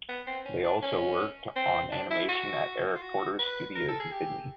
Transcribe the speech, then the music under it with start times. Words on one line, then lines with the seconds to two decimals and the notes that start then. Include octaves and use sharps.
They also worked on animation at Eric Porter's studios in Sydney.
0.09 B3
0.27 C4
0.45 C#4
0.64 D4
0.82 C#4
1.56 C4
1.92 D4
2.10 E4
2.29 F#4
2.96 F4
3.02 F#4
3.39 B4
3.75 A#4
3.88 A4
4.00 G#4
4.12 G4